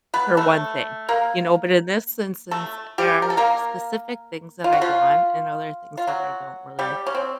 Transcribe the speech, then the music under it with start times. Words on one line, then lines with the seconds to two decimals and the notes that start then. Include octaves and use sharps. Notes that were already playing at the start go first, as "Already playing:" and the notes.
for one thing, you know, but in this instance, uh, there are specific things that I want, and other things that I don't really
0.14 B3 B4
0.37 A3 A4
1.09 A#3 A#4
2.51 A3 A4
2.98 G3 G4
3.22 A#4
3.30 A4
3.37 A#3 A#4
4.64 F4
4.73 F#4
4.81 F3 F4
5.97 F4
6.07 F#3 F#4
6.79 G3 G4
7.06 C#4
7.15 C4